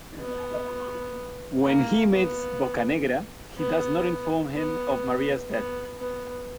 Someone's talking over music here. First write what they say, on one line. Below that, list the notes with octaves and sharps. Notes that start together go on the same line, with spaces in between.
When he meets Boccanegra he does not inform him of Maria's death.
B3
A#3
B3
B3
B3
B3
B3